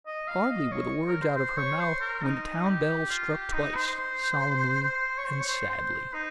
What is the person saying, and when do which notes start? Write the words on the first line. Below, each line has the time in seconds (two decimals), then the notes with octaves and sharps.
Hardly were the words out of her mouth, when the town bell struck twice, solemnly and sadly.
0.07 D#5
0.28 F5
0.50 D#5
0.72 C#5
1.07 A#4
1.22 C5
1.36 C5
1.58 C#5
1.80 C5
2.01 A#4
2.23 D#4
2.66 G4
3.10 F4
3.32 G4
3.53 D#4
3.75 C5
4.83 C5
5.18 C#5
5.27 C5
5.40 C#5
5.48 C5
5.69 C5
6.14 D#4